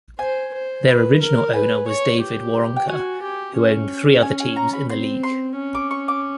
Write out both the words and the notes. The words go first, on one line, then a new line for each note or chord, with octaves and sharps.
Their original owner was David Waronker, who owned three other teams in the league.
C5 G#5
C5
B4
A#4
B4 G#5
C#5
G4
G5
F#4 G#5
G4
C#4
C#4 G#5
G#5
A#5
B5
C4 C6
C6
C#4
D6
C#6
D6